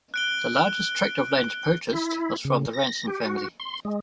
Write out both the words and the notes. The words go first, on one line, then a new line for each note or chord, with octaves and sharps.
The largest tract of land purchased was from the Ranson family.
F#6 D7 G7
E4
C#3
A#6
G4
F#4
C6
G#3